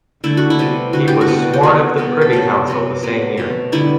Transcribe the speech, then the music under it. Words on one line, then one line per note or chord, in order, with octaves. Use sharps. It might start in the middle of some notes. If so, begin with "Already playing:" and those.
He was sworn of the Privy Council the same year.
D3 A3 E4
F#4
E4
C3 G3 B3
D3 A3 F#4
G4
F#4
C3 G3 B3
G4
E3 B3 F#4
B2 G3 B3
A4
C3 F#3 B3 G4
C3 F#3 B3
C3 F#3 B3
B2 A3
D3 G3 B3 E4